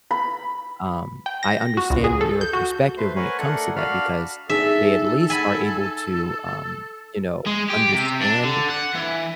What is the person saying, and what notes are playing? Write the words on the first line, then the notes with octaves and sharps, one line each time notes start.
um, I understand their perspective when it comes to that because they at least are able to, um, you know, understand
B5
G5
A#6
F#4
C#2
G#4
A4
G6
F#4
A3 B4 C5
A#4 B4 C#5 F#5 G#5
A3 D4 A4 A#4 F#5
D4 F#4 D5 F5 B5 F6
D4 D#4 G#4 A4 E5
G#5 B5
G#3
G4
C3
D4
D3
F#5
E3